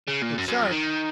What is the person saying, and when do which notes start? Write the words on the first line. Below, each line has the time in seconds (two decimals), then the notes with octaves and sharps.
Look sharp!
0.08 C#3
0.22 A#2
0.38 F#2
0.48 F#2
0.61 F2
0.71 D#3